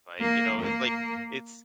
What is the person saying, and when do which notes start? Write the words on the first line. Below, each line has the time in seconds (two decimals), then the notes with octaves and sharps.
Right, you know, it's like, it’s
0.20 A#3
0.59 A#3